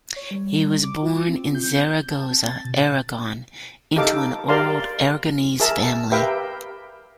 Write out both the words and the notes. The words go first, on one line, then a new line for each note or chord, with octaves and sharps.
He was born in Zaragoza, Aragon, into an old Aragonese family.
C#5
G3
D6
F4
C4
G6
A5
C4
A6
B2
D#4 G4 A4 F5 D6
G4 A#4 D5 F5 A#5 C6
G#4 A#4 E5 A5 A#5
G4 A#4 B4 E5 F5 G5